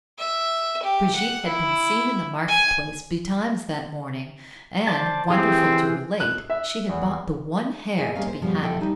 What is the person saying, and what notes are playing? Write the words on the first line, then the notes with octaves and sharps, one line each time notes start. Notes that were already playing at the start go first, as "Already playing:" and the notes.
Brigitte had been seen in the market-place betimes that morning, and, wonderful to relate, she had bought the one hare to be had.
E5
G4
F#5
E4
G#5
C5 D5 A5
E3 C4 G4 G#4
F#6
E5
E2
G#4 A4 D#5 G#5
G3 G#3 A#3 C#4 G#4 F5
C5
C#3 F3 G3 B3
D2 B2 E3 F3 A4 G5
E3 G3 D#4